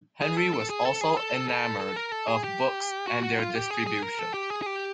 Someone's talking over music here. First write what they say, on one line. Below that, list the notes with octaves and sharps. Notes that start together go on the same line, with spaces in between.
Henry was also enamoured of books and their distribution.
G#4
A4
A4
G#4
A4
G#4
A4
A4
A4
A#4
A4
G#4
G4
F#4
F#4
F4
G4
G#4
G#4
A#4
A4
G4
G#4
G#4
G4